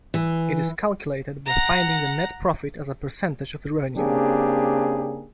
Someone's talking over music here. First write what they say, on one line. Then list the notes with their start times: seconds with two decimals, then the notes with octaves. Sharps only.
It is calculated by finding the net profit as a percentage of the revenue.
0.14 E3
1.46 F#5 A#5
3.97 C#3 A#3 C4 D4 G4 G#4